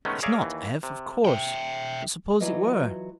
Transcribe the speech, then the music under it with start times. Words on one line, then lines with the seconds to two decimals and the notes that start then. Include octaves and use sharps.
It's not Ev, of course, but suppose it were!
0.05 D#3 G#3 A3 B3 C#4
0.23 G#4 A#4 C#5 D5 E5 F5
0.42 D#2 E3
0.83 C3
1.25 E5 G5
2.40 E3 F#3 F4 B4 D5 D#5